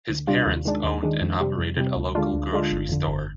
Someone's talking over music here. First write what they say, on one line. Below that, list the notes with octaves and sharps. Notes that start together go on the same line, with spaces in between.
His parents owned and operated a local grocery store.
D2
C3 G3 D4 F4
D#2
D#3 G#3 D4
D#2
D#3 G#3 D4
F2
C3 G3
F2
C3 G3
D2
D3 G#3 D4 F4
D2
D3 G#3 D4 F4
G1
F2 D3
G1